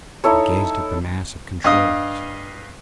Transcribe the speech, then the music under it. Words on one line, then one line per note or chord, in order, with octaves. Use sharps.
I gazed at the mass of controls.
D#4 E4 A4 C#5
G2 D#5 F5 D#6